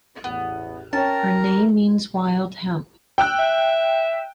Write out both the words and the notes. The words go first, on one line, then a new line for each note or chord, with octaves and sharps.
Her name means "wild hemp".
A1 E2 B3
C#4 A#4 C#5 G5 A5
G5 E6 F#6
E5